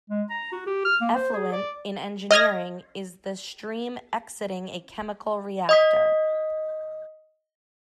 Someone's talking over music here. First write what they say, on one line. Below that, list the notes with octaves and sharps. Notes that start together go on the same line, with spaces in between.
Effluent, in engineering, is the stream exiting a chemical reactor.
G#3
A#5
F#4
G4
F6
A#3
C5
G#4
D5
D#5 F6 G#6 A#6
D#5 D#6 B6